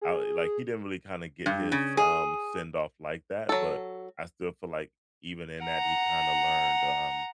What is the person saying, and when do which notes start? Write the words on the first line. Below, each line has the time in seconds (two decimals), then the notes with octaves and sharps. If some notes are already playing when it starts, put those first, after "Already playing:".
I like, he didn't really kinda get his, um, send off like that, but I still feel like even in that he kinda learned, um,
0.01 G#4
1.46 G2
1.72 C#3
1.97 G#4
3.49 F#3 A4
5.62 F#5 A#5